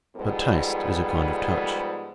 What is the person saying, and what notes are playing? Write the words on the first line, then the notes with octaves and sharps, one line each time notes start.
But taste is a kind of touch.
G#2 F3 G3 B3 A4